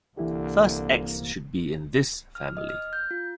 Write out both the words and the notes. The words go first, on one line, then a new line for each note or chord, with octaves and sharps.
Thus "X" should be in this family.
C2 D3 E3 A#3 E4 G4
F6
D#5
F6
G6
F4